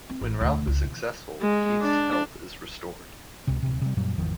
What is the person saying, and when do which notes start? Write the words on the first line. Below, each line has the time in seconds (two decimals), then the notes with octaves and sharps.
When Ralph is successful, Keith's health is restored.
0.10 C4
0.21 A1
0.41 E1 D2
0.67 C#2
0.84 B2 E3
1.41 G#3
1.82 D4
3.47 C#2 C3
3.62 D1 C3
3.81 C3 G3
3.97 F#2 A#2 F#3 G3
4.18 G#1 E2 D#3 F3